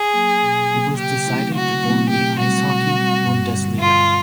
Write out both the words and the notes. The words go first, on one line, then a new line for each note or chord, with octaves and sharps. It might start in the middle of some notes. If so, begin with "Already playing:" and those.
It was decided to form the "Eishockey Bundesliga".
Already playing: G#4
F#3 A#3
B2
F#3 A#3
C#3 G4
F#3 A3 C4 E4
C#3 F#4
F#3 A3 C4 E4
B2 G4
G3 C4 F#4
B2
G3 C4
G2
G3
D3
G2 F4